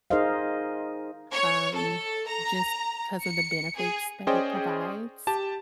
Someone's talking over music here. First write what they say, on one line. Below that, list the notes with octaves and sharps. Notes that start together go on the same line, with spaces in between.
um, just 'cause of the benefits that it provides,
D#4 G#4 A#4 C5 D#5 F5
C#5
A4
A#5
C#7
G#4
C#4 G#4 C5 D5 D#5 G5
G4 A5